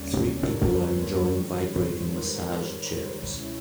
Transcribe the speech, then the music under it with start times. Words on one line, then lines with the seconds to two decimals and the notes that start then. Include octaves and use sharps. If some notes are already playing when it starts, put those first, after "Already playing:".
Three people are enjoying vibrating massage chairs.
Already playing: D#2 D3 G3 A#3 C#4 C#5 D5
0.31 A4
0.43 A#4
0.55 B4
0.67 C5
0.79 C#5
1.29 G#2 D#3 G3
1.69 B4
1.80 C5
1.93 C5
2.06 A#4
2.18 B4
2.30 C#5
3.32 C#2 B2 G#3 C#4 E4